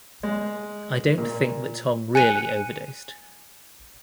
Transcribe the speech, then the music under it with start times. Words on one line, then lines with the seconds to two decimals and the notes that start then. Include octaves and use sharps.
I don't think that Tom really overdosed.
0.23 G#3
1.18 A#2
2.15 G#5 F#6 C#7 D#7